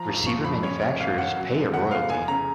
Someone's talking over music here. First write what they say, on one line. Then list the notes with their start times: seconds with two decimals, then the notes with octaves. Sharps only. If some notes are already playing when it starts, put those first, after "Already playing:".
Receiver manufacturers pay a royalty.
Already playing: F3 A#5
0.08 F2
0.26 F3 C#6
0.44 F2 B5
0.63 C#4 C#5
0.81 C#4
1.00 G#1 F5
1.18 C#4 F#5
1.37 F#3
1.55 F#2
1.73 C#3 F#5
1.91 B3 F5
2.10 F1 G#5
2.28 C#3 A#5